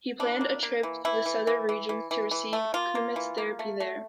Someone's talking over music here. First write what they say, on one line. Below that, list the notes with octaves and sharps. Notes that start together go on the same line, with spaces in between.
He planned a trip to the southern regions to receive kumiss therapy there.
E3 D4
A#3
A#3
E3
E3 E4
E3
E3
E3
E3
E3
E3
A3
A#3 F4
A#3
E3
A#3
A3
A3